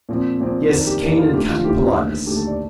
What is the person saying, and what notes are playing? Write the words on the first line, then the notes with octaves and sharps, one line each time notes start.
Yes, keen and cutting politeness.
A#2 F3 C4
A#2 F3 C4
F2 D#3 A#3 D4 A4
G4
F2 D#3 A#3 D4
F4
D#2 D3 A3 G4
F4
D#2 D3 A3 G4
D#2 D3 A3
D#2 D3 A3 G4
A4
D5